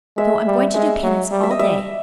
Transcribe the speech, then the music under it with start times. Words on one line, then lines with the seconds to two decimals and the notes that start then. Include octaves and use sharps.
So I'm going to do penance all day.
0.17 G#3 E5
0.46 G3
0.74 G#3 E5
1.03 F#3
1.31 G3
1.43 E5
1.51 D#5
1.59 G3 E5